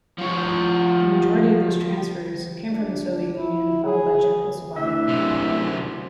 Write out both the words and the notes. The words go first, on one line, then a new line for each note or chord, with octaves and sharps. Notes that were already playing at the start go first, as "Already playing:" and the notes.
The majority of these transfers came from the Soviet Union, followed by Czechoslovakia.
F3 F#4
D4
E4
G#4
D2 E3 D4 B4 E5
F#2 C3